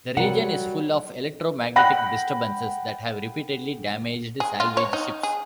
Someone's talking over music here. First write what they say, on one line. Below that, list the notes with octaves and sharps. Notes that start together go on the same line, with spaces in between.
The region is full of electro-magnetic disturbances that have repeatedly damaged salvage ships.
C3 F#3 G3 A#4 F#5 C#7
F#5 G5 B5 F#6 A#6
G#4
F4
C#5
D#4
G#4